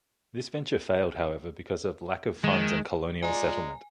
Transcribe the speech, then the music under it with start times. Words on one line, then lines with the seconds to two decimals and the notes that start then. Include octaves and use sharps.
This venture failed, however, because of lack of funds and colonial settlement.
2.44 D#3 G#3
3.23 G#3 F4 D5 G#5 A#5